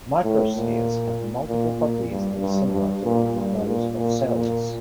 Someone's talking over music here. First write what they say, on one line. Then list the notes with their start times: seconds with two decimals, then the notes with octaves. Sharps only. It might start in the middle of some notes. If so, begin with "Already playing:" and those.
Microspheres have multiple properties that are similar to those of cells.
0.24 A2
0.56 A#2
1.49 A#2
1.79 A#2
2.11 G2
2.42 G2
2.73 G2
3.04 A#2
3.35 G2
3.66 A#2
3.97 A#2
4.28 A#2